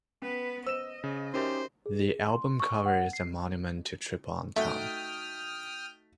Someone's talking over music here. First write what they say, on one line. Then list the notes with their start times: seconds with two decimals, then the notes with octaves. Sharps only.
The album cover is a monument to triple entendre.
0.22 B3 C#4 B4
0.67 C5 D#5 E6 E7
1.04 C#3
1.34 C#4 D#4 F#4 G4 A#4 C5 E5
1.86 G#4
2.32 C6
2.60 C#6
2.86 F#5
3.13 C7
4.56 A3 D#4 F#4 E5 G5 D#6 F6